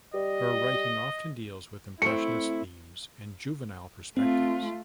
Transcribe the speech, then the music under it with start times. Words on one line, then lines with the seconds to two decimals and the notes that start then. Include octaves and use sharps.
Her writing often deals with impressionist themes and juvenile perspectives.
0.14 G3 D#5
2.02 A3 C4 E4 C#7
4.17 A3 C4 F4